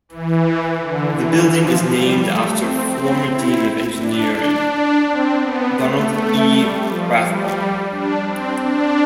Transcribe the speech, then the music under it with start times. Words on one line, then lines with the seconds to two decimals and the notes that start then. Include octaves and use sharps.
The building is named after former dean of Engineering, Donald E. Rathbone.
0.09 E3
0.80 D3
1.15 E3
1.51 F3
1.87 G3
2.22 A3
2.57 C4
2.93 C4
3.29 E4
3.99 D4
4.35 D4
4.70 D4
5.06 C4
5.41 B3
5.77 A3
6.12 A3
6.47 G3
6.83 F3
7.19 G3
7.90 D4
8.25 C4
8.60 D4